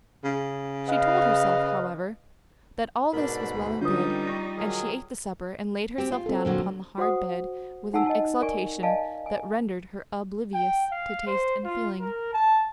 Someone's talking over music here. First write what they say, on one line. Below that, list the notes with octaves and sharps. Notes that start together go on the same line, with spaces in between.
She told herself, however, that all this was well and good; and she ate the supper and laid herself down upon the hard bed with an exaltation that rendered her oblivious to taste and feeling.
C#3
B4 D#5 F5
G#2 B2 D4 A#4 B5
D2
D3 G3 C#4 D#4 F4 B4 D#6 G6
C#6 A#6
D#3 F#3 G#4
C4 G4
F4
C4 A4
A#2 D3 F#3
F#4 C5 F#5 D#6
D#4 F#5 G#5 A5 E6
D#5 A5
A#4 D5 G#5 C#6
D5 D#5 F5 G#5 A5
G#5
G5
F5
C5
F4
A#4
A5